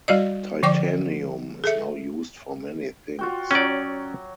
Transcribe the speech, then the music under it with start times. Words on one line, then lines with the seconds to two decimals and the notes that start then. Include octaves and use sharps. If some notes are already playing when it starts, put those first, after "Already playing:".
Titanium is now used for many things.
0.08 G3 F#4 D5 D#5
0.63 D3 F3 D5 G5 C#6 D6
1.64 G#4 A4 E5
3.19 F4 F#4 G5
3.51 F#3 C#4 D5 G5 D6